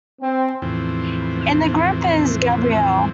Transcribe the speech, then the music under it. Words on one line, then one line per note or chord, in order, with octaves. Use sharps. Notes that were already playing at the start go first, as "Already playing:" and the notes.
In the group is Gabrielle.
C4
E2 A2 C3 E3 F3 C4